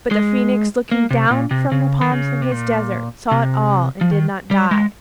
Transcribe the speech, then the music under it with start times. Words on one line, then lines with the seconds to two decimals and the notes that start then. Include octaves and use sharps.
But the Phoenix, looking down from the palms of his desert, saw it all and did not die.
0.11 G#3
0.91 A#3
1.11 C3
1.31 A#2
1.51 C3
1.72 C#3
2.01 D#3
2.12 C#3
2.42 C3
2.52 A#2
3.31 C3
4.01 F3
4.11 D#3
4.51 G3
4.71 G#3